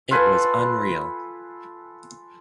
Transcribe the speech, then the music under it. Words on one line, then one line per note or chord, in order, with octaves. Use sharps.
It was unreal.
F4 A4 B4 G#5